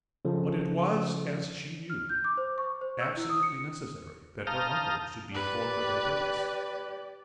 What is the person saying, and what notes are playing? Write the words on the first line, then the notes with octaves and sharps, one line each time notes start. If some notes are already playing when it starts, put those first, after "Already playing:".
But it was, as she knew, absolutely necessary that her uncle should be informed of her purpose.
C#3 F3 A4
F6
G6
D6
C5
C#6
C5
E6
E4
D#6
C#7
F5 A5 A#5 D#6 F6 G6
G4 B4 D5